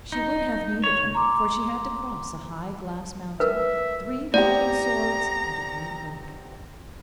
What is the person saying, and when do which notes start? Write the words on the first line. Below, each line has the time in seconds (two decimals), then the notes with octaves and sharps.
She would have need of them, for she had to cross a high glass mountain, three cutting swords, and a great lake.
0.12 D#4
0.84 C#5
1.15 A#5 C6 D6
3.40 A#4 B4 E5
4.34 B3 C4 G4 D5 A#5